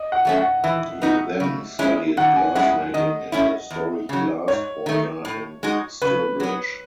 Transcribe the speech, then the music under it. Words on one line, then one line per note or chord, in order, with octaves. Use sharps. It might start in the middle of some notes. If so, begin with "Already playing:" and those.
He then studied glassmaking in the Historic Glass Quarter in Stourbridge.
Already playing: D#5
F#5
F#3 A3 C#4
F#5
E3 E5
B3 D#4 F#4
C#3
G#3 C#4 E4
D#3 F#5
G#5
G#3 C#4 E4 F#5
D#3 D#5
A3 C#4 E4
E2
C#3 F#3
G#2 C#5
D#3 A3
A2
G#3 D#4 F#4
C#3 B4
F#3 B3